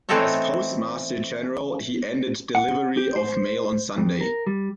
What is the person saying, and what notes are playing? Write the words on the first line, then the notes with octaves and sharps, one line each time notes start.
As Postmaster General he ended delivery of mail on Sunday.
E3 A3 C4 D#4 A4 C#5
F#5
G4
C5
F2
A#4
G3